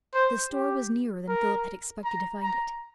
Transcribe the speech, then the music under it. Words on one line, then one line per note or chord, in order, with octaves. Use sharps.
The store was nearer than Philip had expected to find it.
C5
G4
A#4
A#5
A#5